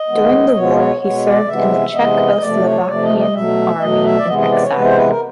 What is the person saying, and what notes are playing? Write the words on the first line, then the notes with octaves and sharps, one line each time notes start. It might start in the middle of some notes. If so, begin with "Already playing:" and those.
During the war he served in the Czechoslovakian army in exile.
Already playing: D#5
D#3 G#3 B3
B2 G#3 B3 C#5
C#5
B2 G#3 B3 C#5
D5
C3 E3 G#3 B3 E5
C3 E3 G#3 B3 D#5
C3 F3 A3 D5
C#5
C3 F3 A3 D5
D#5
D#5
B2 F#3 A3 E5
B2 F#3 A3 D#5
E5
D5
C3 E3 G#3 B3 D#5
D#5
D5
C#5
C3 E3 G#3 B3 B4
C5
B4
A#4